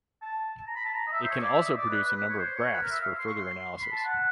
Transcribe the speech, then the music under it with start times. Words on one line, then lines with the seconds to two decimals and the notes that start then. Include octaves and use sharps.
It can also produce a number of graphs for further analysis.
0.22 A5
0.58 A5
0.67 A#5
0.75 B5
0.85 A5
0.94 A#5
1.07 D#5
1.12 E5
1.23 C5
1.30 C#5
1.41 D5
1.53 E5
1.66 D#5
1.77 D5
1.90 B4
2.02 B4
2.29 C#5
2.38 C5
2.55 C#5
2.73 B4
2.82 A#4
2.91 E5
3.00 F5
3.18 C6
3.28 C#6
3.36 C6
3.81 B5
3.92 A5
4.05 F#5